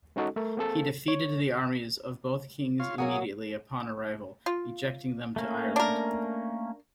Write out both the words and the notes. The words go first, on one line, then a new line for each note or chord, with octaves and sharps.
He defeated the armies of both kings immediately upon arrival, ejecting them to Ireland.
G#3 C#4 D#4 F#4 A4
A3 A4 A#4
A#3 C4 G#4 A4
C#5
F4 C#5 F5
F#3 A#3 F#4 G#4 D#6
F4
A3 A#3 C#4
D4 A#4